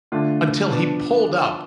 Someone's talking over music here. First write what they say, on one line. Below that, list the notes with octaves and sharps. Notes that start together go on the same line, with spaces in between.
until he pulled up?
D3 A3 D4 F4
F3 B3 D4